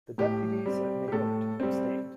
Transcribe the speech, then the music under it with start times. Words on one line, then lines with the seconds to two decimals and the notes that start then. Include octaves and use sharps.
The deputies of Mayotte abstained.
0.18 A2 G4
0.66 G3 C4
1.08 G4
1.12 A2 A4
1.60 G3 C4